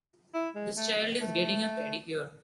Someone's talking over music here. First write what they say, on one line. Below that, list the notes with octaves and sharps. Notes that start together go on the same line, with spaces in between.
This child is getting a pedicure.
E4
G#3
A3
A3